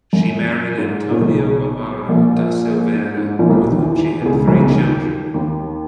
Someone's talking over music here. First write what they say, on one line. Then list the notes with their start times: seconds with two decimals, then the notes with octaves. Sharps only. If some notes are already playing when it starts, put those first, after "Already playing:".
She married Antonio Amaro da Silveira with whom she had three children.
0.13 F#2
0.78 G#2
1.11 A#2
1.21 B1 B2
2.09 A#1 A#2
2.95 G#2
3.17 G#2
3.39 A#1 A#2
3.50 B1 B2
3.72 D#2 D#3
3.82 E2 E3
4.22 B2
4.26 C#2 C#3
4.48 B1 B2
4.59 C#3
4.69 D#2 D#3
5.34 D#2 D#3